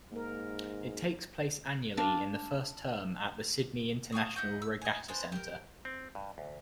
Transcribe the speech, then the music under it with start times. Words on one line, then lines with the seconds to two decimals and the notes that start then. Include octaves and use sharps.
It takes place annually in the first term at the Sydney International Regatta Centre.
0.12 G#2 A#3 A#4
1.97 D4 D5 F5
4.12 F5 G#5 C#6 D#6
4.36 E4 D#5 F#5 G6
4.62 E6
4.82 D#5 G#5
5.08 B3 D4 C5 G#5
5.32 G4 A#4
5.85 C4
6.15 G2
6.38 D2